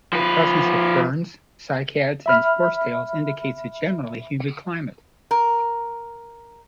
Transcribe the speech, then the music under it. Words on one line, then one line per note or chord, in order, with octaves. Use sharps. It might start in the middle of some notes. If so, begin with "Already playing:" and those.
The presence of ferns, cycads, and horsetails indicates a generally humid climate.
F3 B4
E5 B5 F6
A#4